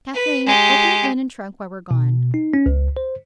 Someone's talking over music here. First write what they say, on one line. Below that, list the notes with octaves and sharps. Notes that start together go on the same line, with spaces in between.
Kathleen, open the linen trunk while we're gone.
B4
G#3 G4
B2
D#4
C#4
C#2
C5